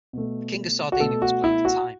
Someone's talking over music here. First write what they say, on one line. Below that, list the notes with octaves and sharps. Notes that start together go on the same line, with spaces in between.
The King of Sardinia was playing for time.
B2 A3
F#4
B2 A3 A4
F#4
E4
F#4